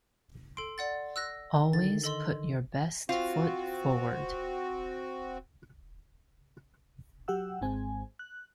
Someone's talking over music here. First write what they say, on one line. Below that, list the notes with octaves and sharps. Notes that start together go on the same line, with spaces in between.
Always put your best foot forward.
A4 C6 D7
D5 F#5 A6
E6 F#6 A#6
D3 D#3 A6
A4 D#5 C6
C4 F4 F#4
F#3 G4 F#5 E6
G#1 G#2 G#3 C4 G#5
F#6